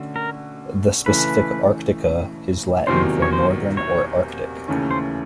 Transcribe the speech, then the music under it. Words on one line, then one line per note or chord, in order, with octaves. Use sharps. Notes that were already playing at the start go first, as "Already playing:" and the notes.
The specific "arctica" is Latin for "northern" or "Arctic".
Already playing: D3 A3 C#4 F#4
A#4
C#3 E3 A3 B4
E2 C3 D#3 F#3 A#3 C5
C#5
C5
C#5
D#2 C#3 E3 A3 C#4
C5